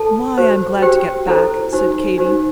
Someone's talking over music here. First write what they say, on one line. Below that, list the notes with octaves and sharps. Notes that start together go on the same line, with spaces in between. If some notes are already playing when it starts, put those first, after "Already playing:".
"My! I'm glad to get back," said Katy.
Already playing: A4 A5
F#4 C5
F#4 G4 C5 G5
E4 A4 C5
D#4 F#4 C5
D#4 F#4 C5